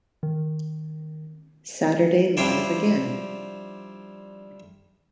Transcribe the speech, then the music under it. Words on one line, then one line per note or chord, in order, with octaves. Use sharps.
Saturday Live Again!
D#3
F3 G3 D4 E4 C5 D5